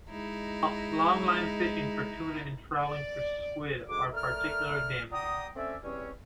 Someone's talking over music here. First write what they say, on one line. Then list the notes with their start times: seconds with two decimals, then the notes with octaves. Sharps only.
Longline fishing for tuna and trawling for squid are particularly damaging.
0.10 G#3 D#4 E4
2.83 D5
3.88 D2 G#2 G#3 D6
4.13 A3 A#4 D5 F6
5.12 D5 F#5 G5 A#5 D#6
5.56 A3 C4 C#4 D5 E5
5.83 E2 G3 C4 C#4